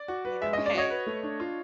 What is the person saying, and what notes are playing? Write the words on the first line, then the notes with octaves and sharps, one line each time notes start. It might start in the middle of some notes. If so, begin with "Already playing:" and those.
you know, "Hey,
Already playing: D5
F#4
B4
G#3 E5
C#4 D#5
D5
F#4 C#5 D#5
B4
A3
D4
F4